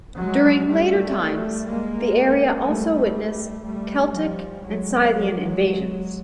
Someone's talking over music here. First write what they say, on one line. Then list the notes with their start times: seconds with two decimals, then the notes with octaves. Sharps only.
During later times, the area also witnessed Celtic and Scythian invasions.
0.17 F#3 G#3
0.67 G3 A3
1.66 G#3 A#3
2.65 G3 A3
3.65 G3 A3
4.14 F3 G3
4.63 F#3 G#3
5.13 F#3 G#3